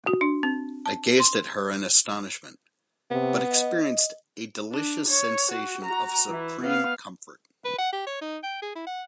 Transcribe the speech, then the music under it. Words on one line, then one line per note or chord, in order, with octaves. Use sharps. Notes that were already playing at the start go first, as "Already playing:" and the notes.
I gazed at her in astonishment, but experienced a delicious sensation of supreme comfort.
F#4
D4
C4
A5
C6
C3 B3
D#5
D4
C#5
F#4
F#4 A#5
E3 E4
B3 F5
B4
F#5
G4
C#5
D#4
G5
G#4
E4
F#5